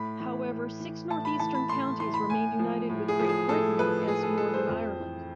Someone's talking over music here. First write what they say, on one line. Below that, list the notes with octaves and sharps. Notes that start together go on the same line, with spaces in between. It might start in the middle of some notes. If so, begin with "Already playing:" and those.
However, six north-eastern counties remained united with Great Britain as Northern Ireland.
Already playing: A2 B5
E3
A2
E3
A2 A5
B5
E3 A5
B5
A2 C6
E3 C6
B5
A2 G#5
F3
A2
G#4
F3
G#4
A2 A4
F3 B4
A2 G#4
A4
F3 A4
C5
F2
E3